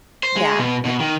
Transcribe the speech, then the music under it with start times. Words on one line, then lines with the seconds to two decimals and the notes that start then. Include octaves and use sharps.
Yeah, ye
0.23 C5
0.36 G#3
0.59 B2
0.85 B2
1.00 D#3